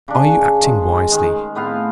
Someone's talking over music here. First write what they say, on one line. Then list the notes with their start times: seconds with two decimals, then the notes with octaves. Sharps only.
'Are you acting wisely?
0.08 C#3 D4
0.62 D#3 G#3
1.11 D#3 G#3
1.55 A2 B3 C4 F5